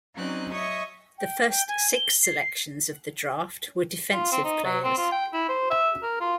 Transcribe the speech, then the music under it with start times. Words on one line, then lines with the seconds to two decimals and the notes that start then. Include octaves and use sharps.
The first six selections of the draft were defensive players.
0.14 F#3 C4 C#4 D#4 D5 F#6
0.53 C#5 D#5 E5 C#6 D#6
1.18 G5
1.49 G5
1.68 G#5
1.94 G7
2.23 C7
4.12 F4
4.32 C4
4.44 D#4
4.64 F#3
4.84 C4
4.97 F4
5.12 G5
5.33 E4
5.49 C5
5.70 E5
6.03 A#4
6.21 F4